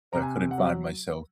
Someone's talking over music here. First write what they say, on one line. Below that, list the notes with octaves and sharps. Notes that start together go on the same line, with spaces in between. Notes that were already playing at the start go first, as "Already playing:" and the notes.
uh, couldn't find myself
C3 A#5
G#5
C3
F#5
F#3